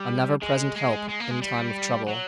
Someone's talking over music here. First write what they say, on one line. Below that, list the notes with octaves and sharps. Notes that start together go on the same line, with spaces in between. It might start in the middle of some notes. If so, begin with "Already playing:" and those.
A never present help in time of trouble.
Already playing: G3
G#3
G#3
G#3
A#3
G#3
G3
F#3